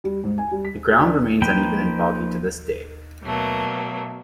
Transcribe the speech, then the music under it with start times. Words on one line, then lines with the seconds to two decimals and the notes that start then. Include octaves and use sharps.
The ground remains uneven and boggy to this day.
0.04 G3
0.24 G#2
0.38 G#5
0.51 G3
0.65 B6
0.89 F#4
1.03 D4
1.42 F3 A#3 D#4 B4 G5
3.23 B2 F#3 A3 A#3